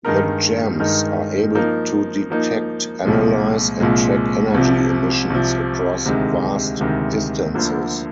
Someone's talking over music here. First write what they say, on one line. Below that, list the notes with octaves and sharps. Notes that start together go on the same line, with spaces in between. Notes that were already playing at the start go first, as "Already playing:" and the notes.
The gems are able to detect, analyze, and track energy emissions across vast distances.
G2 D#3 G#3 D#4 A#4
G2 D#3 G#3 D#4 A#4
F3 A#3 D#4 A#4
F3 A#3 D#4 A#4
C2 A#2 F3 G#3
C2 A#2 F3 G#3
C2 C3 F3
C2 C3 F3
D2 C3 D#3 G#3
D2 C3 D#3 G#3
D2 D3 F3 A#3